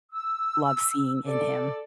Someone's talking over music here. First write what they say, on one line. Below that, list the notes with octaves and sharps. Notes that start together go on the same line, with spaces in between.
love seeing in him.
E6
A4 D5